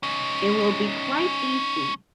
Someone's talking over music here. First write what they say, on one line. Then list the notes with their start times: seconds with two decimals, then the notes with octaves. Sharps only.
It will be quite easy.
0.03 C#4 D#4